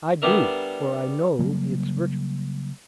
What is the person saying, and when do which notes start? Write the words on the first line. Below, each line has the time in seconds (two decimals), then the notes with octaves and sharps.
"I do, for I know its virtue."
0.22 G3 B3 D4 A#4 E5
1.39 C#3 F#3 G3 A#3